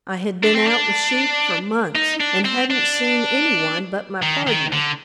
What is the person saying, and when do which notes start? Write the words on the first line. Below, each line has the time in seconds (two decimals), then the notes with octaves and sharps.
I had been out with sheep for months and hadn't seen any one but my pardner.
0.43 D4
0.55 C4
0.67 D4
1.95 D#4
2.20 D4
2.45 C4
2.71 D4
4.22 D#3
4.47 D#3
4.72 D3